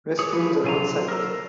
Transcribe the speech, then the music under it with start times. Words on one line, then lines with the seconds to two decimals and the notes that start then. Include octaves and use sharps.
Restrooms are on site.
0.19 G#4 C#5
0.32 F3 G3 B4
0.64 C3 F#3 C5 G#5 A#5
1.08 A4 A#4